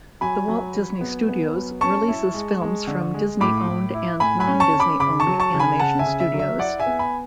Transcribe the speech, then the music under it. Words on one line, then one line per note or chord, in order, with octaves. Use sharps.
The Walt Disney Studios releases films from Disney-owned and non-Disney owned animation studios.
F#3 G#5 B5
F#3
F#3
B3
B3
F#3
C#4 A5 C#6
E4
G#3
G#3
D3
G#3
A2 B5 D6
A2
E4
A2 G#5 B5
G#5 B5
C#4
A5 C#6
C#4
B5 D6
C#3 B5 D6
A5 C#6
F#3
A5 C#6
C#3
G#5 B5
C#3 F#5 A5
E5 G#5
C#3
E5
F#3
E5
E4 D5 F#5
E5 G#5
B3
G#5 B5